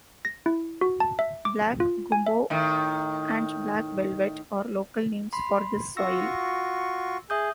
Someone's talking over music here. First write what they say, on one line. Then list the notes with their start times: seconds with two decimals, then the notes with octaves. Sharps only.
"Black Gumbo" and "Black Velvet" are local names for this soil.
0.25 A#6
0.46 E4
0.81 F#4
1.00 A5
1.19 E5
1.45 D6
1.80 F4
2.12 G#5
2.27 E5
2.50 A2 D#3
5.33 B5 C6
5.97 F4 F#4 C#6 E6 A#6
7.30 G#4 E5 D#6 G6